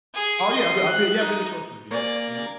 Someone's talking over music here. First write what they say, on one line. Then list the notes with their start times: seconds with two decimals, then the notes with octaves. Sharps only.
Oh, yeah, I've bee I've been yeah, I've been to Costa Rica. Yep, yeah.
0.14 G#4
0.51 D#5 C6
0.86 F#6
1.20 D#4
1.91 A#3 D5 G#5